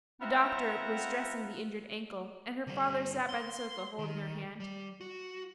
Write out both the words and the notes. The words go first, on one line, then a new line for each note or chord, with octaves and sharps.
The doctor was dressing the injured ankle, and her father sat by the sofa holding her hand.
B3 C4 F4 E5 F#5 A#5
D3 G3
C6
D#3
G3
F#4